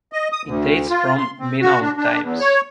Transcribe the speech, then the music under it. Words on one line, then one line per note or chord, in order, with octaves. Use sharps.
It dates from Minoan times.
D#5
D#6
D2
F4
C6
C4
F#4
D4
D4
E2
C#5